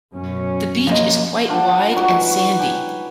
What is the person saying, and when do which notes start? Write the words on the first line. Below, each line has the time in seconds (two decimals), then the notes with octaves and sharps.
The beach is quite wide and sandy.
0.13 F#2 B2 C#4
0.87 F3 A#3 D#5
1.48 G3 D4 F4 F#5
1.95 F#3 G3 D#4 F#4
2.08 G#3 B4
2.31 F#4
2.59 G4 G#5